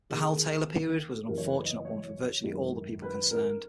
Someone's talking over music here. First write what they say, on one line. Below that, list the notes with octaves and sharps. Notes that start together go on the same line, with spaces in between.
The Hal Taylor period was an unfortunate one for virtually all the people concerned.
D#2 D#3 G#4
F#1 F#2 E3 A#4
C#5
B4
D#5
C#5
G#1 F#2 D#3
B4
A#4